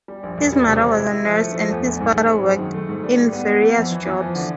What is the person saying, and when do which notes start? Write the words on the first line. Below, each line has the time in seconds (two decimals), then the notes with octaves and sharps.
His mother was a nurse and his father worked in various jobs.
0.08 G3
0.23 A#1
0.38 E1
0.52 G3
0.68 C3
0.82 C3
0.96 E4
1.11 E4
1.26 F3
1.40 A3
1.55 F3
1.70 E2
1.85 A#1
2.00 G#2
2.15 G#3
2.29 C4
2.44 F#2
2.59 D#3
2.74 A3
2.89 G#2
3.04 G3
3.18 G3
3.32 B3
3.47 B3
3.62 E3
3.77 F2
3.91 E3
4.06 E3
4.21 F3
4.35 D3